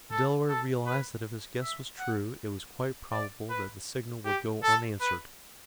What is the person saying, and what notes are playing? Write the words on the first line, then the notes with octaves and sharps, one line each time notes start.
The Delaware realized that if his guess was true it was quite probable that the signal would go unanswered.
A4
A4
B4
E5
F#5
D5
B4
G4
A4
B4